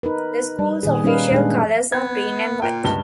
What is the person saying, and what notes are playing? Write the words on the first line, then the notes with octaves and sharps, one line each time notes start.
The school's official colors are green and white.
D#4 A#4 B4
G3
A#2 D#3 G#4
G3 C#4 D#4 B4 F5
A#2 G#3 D4 G#4
B3 G#6
A#2 A#4 G5
C#2 G2 G7